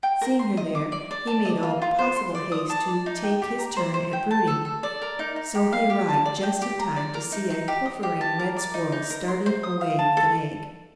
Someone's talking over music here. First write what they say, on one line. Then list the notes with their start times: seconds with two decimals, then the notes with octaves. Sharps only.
Seeing her there, he made all possible haste to take his turn at brooding, so he arrived just in time to see a pilfering red squirrel starting away with an egg.
0.03 G5
0.21 A#4
0.39 C6
0.57 D#5
0.75 D6
0.92 D5
1.11 D5
1.27 A5
1.45 D#5
1.63 F4
1.82 F4
1.99 C5
2.16 C6
2.35 D5
2.52 D#6
2.70 A5
2.88 D5
3.06 D#4
3.23 G5
3.42 G4
3.59 A#5
3.76 C5
3.94 C5
4.13 G5
4.31 A5
4.47 A4
4.65 A4
4.83 D5
5.02 A#4
5.19 D#4
5.36 D#4
5.55 G4
5.73 F5
5.90 G4
6.08 A5
6.26 D5
6.43 G5
6.62 G4
6.79 A#5
6.96 D5
7.14 A#4
7.32 D#4
7.50 D#4
7.68 G4
7.86 D#5
8.03 G4
8.21 A5
8.39 A#4
8.57 D5
8.74 D#4
8.92 D#4
9.10 A#4
9.28 C6
9.46 C5
9.63 D#6
9.81 F5
9.99 A5
10.17 A4